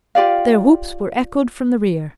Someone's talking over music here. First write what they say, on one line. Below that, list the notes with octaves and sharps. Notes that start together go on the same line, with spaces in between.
Their whoops were echoed from the rear.
F4 G4 D5 F5